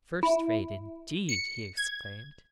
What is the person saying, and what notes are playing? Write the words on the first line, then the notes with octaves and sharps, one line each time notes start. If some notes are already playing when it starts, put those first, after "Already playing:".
'First rate, indeed!' he exclaimed.
E4
C#7
G#6